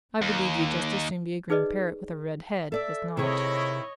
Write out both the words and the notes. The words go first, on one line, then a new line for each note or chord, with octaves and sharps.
"I believe you'd just as soon be a green parrot with a red head as not."
D#2
D#4 G#4 B4 D5 D#5
A4 D5 E5
C3 D#3 E4 G#4 C#5 D#5